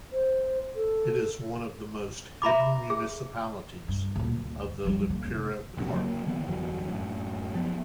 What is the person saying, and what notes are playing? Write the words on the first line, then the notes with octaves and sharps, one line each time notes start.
It is one of the most hidden municipalities of the Lempira department.
C5
A4
E5 A#5 B5 D6
G#4
G2
D2 A#2
D2
F3 G3
D3 A#3
F1
F1 A#1 F#2 C3
C#3 F#3 G3 A#3
D3 E3 B3
G1 F2 E3 F#3
F#2 A2
F3 B3